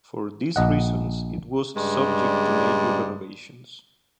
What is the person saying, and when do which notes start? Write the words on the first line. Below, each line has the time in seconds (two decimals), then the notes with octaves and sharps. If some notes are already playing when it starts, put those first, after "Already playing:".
For these reasons it was subject to major renovations.
0.56 A#1 D#5 F#5
1.76 G2 C#3 G#3 D5